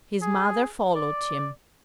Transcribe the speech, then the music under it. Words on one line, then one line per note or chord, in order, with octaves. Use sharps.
His mother followed him.
G#4
D5